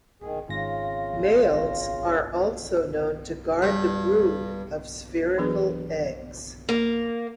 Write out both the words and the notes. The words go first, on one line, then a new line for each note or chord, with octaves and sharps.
Males are also known to guard the brood of spherical eggs.
D#3 G#4
G#1 C#3 F4 A#6
G2
E3 F#3 B3 D4 G#4 B4
A#3